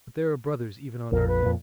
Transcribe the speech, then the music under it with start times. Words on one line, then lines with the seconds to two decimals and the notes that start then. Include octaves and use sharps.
But there are brothers even on earth....
1.12 A#1 F2 A#4
1.28 B4
1.43 F2 A#2